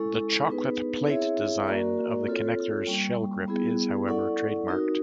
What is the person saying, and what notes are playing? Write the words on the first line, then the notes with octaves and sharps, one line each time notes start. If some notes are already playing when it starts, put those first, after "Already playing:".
The "chocolate plate" design of the connector's shell grip is, however, trademarked.
Already playing: G#3 C#4 E4 A4
B3 D#4 G#4 B4
C4 E4 G#4 C#5 E5
A#3 C#4 F#4 A#4 D5
C4 F4 A4 C#5
G3 A#3 C#4
G3 B3 E4 G#4
C#4 E4 A4 D5 F#5
C4 D#4 F#4 A#4